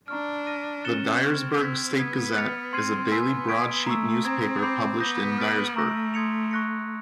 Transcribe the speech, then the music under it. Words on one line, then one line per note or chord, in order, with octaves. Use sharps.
The "Dyersburg State Gazette" is a daily broadsheet newspaper published in Dyersburg.
D4 A#5 C#6 F6
F6 A#6 D#7
C#4 F#6 A6 C#7 E7 G7
C4 C#6 F6 G#6
C4 E6 G#6 B6
B3 D#6 G#6 B6
F6 A6 C#7 F7
C4 C6 F6 G#6 C7 D#7
B3 G#5 C6 E6
D#6 G#6 B6 D7
A3 A#5 C#6 E6
C4 A#5 D#6 G#6
B5 D6 G6 C7
B3 D#6 G6 A#6
F6 A6 D7 F#7
A3 A#5 C#6 E6 G6 A#6
C6 D#6 G#6 C#7 F7
C#6 F#6 A#6 C#7